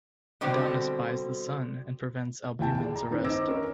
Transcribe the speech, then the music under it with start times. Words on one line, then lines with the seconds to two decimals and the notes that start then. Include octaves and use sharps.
Adonis buys The Sun and prevents Albumen's arrest.
0.41 B2 D3 G3 C4
2.59 D#2 E4 G5 A5
2.80 G#4 D5
2.96 A#5
3.11 D#3 C4 D#4 E4 B4
3.24 C5 D#5 D6 E6 A#6
3.47 C#4 A#4